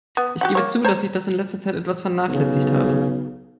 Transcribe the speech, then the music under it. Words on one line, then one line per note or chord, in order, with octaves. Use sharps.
Ich gebe zu, dass ich das in letzter Zeit etwas vernachlässigt habe.
B3
F#4 G4 F#5
A#3 C#5
C5 C#5 A#5
B1 C#3